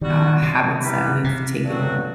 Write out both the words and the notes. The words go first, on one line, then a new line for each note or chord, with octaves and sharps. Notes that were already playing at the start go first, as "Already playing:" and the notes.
uh, habits that we've taken on.
D#3 G3 B3 F#4
C3
E3 G3 D#4 G4 B4
C3
G2 F#3 C4 F#4 A4